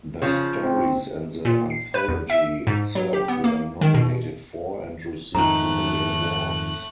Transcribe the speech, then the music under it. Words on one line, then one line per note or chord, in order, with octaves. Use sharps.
The stories and the anthology itself were nominated for and received many awards.
C#3 F3
C4
A#2
C7
B4
E2
E5
G#2
F#3
G4
B3
A#3
D#3
B2
F2 G#2 D#3 A3 A#5 F#6